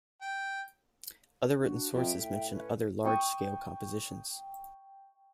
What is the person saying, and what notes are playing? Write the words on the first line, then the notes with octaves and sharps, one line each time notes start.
Other written sources mention other large-scale compositions.
G5
D4 F#4
F2 E5 G5
A2
C#4 B4
G5 C#6 D#6